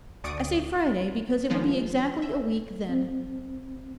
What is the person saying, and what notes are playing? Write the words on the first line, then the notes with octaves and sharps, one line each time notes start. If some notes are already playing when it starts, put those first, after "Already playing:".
I say Friday because it will be exactly a week then.
D2 D5 C#6 D#6 D7
D#3 F3 G#3 B3 F4
E5
C4